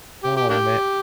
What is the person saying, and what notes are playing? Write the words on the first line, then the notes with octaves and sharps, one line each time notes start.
Oh, ma
G4
G4
A#3 D4 G4